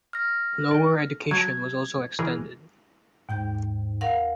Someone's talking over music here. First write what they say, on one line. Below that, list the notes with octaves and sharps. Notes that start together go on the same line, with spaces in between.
Lower education was also extended.
F6 A#6
D5 G5
F#3 A5 G#6
E3 G#4 A#4
D#2 G#2 G5 G6
A#4 F5 F#5